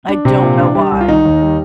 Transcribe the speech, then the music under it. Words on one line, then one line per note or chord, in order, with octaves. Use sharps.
I don't know why.
D4
C3
A#2
D4
G3
C2
F4
D#3 D#4
D#2
G3